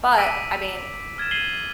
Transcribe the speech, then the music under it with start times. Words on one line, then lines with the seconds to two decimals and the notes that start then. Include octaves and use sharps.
But, I mean, I
0.18 D6 E6 B6 D7 D#7
1.18 F6 G#6 A6 E7
1.31 C7 D#7 F#7 G7